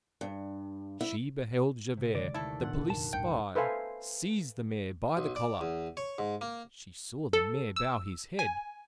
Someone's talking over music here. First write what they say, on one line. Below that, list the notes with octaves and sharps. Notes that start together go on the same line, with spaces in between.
She beheld Javert, the police spy, seize the mayor by the collar; she saw the mayor bow his head.
G2
E4
C3
D3 D#3 G#3 D5
D#2 A3 E4 A4
A#2 D#3 B3 D4 F#5
F1 F2 D3 A5
A1 E2 G2 G5 C#7
A4 B4 C5 E5 F5 G#5
B1
D5
E2
C#5
G#2
A#3
A4
E6
G#5